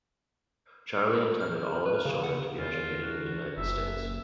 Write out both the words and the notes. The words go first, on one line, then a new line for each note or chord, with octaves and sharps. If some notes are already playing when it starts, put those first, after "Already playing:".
Charlie intended all of his children to be educated in the United States.
F6
B4
C#3
F#5
E2 F4
F#4
F#1 E5